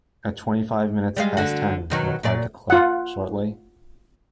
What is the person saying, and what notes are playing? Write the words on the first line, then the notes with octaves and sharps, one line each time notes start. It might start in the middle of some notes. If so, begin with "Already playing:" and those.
"At twenty-five minutes past ten," replied the clerk shortly.
G3 G#3 F5
D3 F#4
B2 D#3 F#3
A#2 F#3 D5
F4 F#5